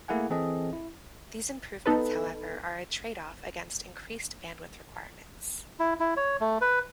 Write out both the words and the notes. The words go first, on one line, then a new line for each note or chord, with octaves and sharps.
These improvements, however, are a tradeoff against increased bandwidth requirements.
A3 A#3 E4 G#4 F#5 G#5
E3 C4 G#4 A4 D#5
E4
B3 D#4 A4 B4
E4
E4
C#5
A3
B4